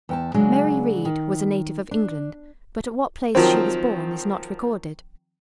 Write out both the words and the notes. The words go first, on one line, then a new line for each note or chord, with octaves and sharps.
Mary Read was a native of England, but at what place she was born is not recorded.
E2 G5 A5
C#3 F#3 G#3 D4 F#4
D#3
D4
D#3 F3 F#3 C4